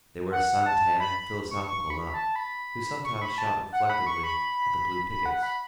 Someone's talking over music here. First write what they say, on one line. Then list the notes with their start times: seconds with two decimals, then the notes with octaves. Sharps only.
They were a sun-tanned, philosophical lot, who sometimes shot reflectively at the blue pickets.
0.32 F#5
0.66 A5
1.00 B5
1.17 B5
1.51 C#6
1.67 C#6
1.90 B5
2.14 A5
2.36 B5
3.04 C#6
3.22 B5
3.38 A5
3.72 F#5
3.90 B5
4.06 C#6
4.23 B5
5.09 B5
5.26 F#5
5.43 B5